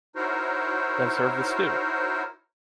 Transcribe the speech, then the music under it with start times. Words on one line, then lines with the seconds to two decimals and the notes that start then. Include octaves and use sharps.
Then serve the stew.
0.15 D#4 E4 F#4 A#4 C5 C#5